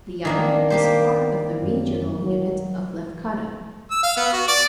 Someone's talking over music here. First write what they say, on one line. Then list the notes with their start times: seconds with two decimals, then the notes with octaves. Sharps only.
The island is part of the regional unit of Lefkada.
0.25 D#3 A#3 D4
0.70 A#3 G4 C5
1.62 F#2
2.24 F#3
3.91 E6
4.03 F5
4.17 B3
4.33 F#4
4.48 D5